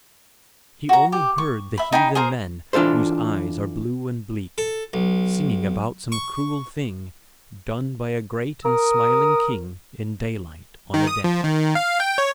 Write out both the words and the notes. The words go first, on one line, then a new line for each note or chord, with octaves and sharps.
He only heard the heathen men, Whose eyes are blue and bleak, Singing about some cruel thing Done by a great and smiling king In daylight on a deck.
F#4 A#5
G4
C#6
E5 B5
D#4 G5 G#5 B5
G#4 A#4 C5 A#5
E3 D4 F4 A4 C5
A4
B1
C#6
A#4 D#6
D#3
D#6
F3
D#3
F5
G5
C#5